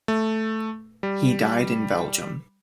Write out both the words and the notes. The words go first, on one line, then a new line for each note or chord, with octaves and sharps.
He died in Belgium.
A3
G3